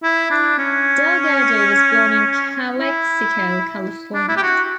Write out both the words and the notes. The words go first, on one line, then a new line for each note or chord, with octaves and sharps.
Delgado was born in Calexico, California.
E4
D4
C#4
E4
D4
E4
G4
F#4